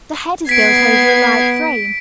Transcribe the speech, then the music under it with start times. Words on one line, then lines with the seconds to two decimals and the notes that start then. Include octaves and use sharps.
The head is built over a light frame.
0.49 B3 G#6 B6 C7 D7